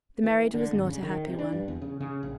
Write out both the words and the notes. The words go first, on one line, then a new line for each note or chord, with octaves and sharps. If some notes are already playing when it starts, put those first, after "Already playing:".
The marriage was not a happy one.
E3
D3
G#1
C#3
D#3
C3
D4
G2
E2
C#3
C#3
A#1